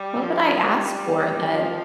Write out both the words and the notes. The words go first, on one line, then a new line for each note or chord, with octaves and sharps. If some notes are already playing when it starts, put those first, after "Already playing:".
what would I ask for that
Already playing: G3
F3
G3
F3